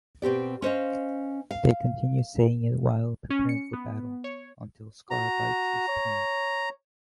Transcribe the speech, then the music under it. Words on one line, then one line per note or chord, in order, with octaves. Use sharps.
They continue saying it while preparing for battle, until "Scar" bites his tongue.
B2 C4 G4 D5
C#4 C5 D#5 F5
F5
C#4
C#7
B3
C#5
F#4 A#5
C#5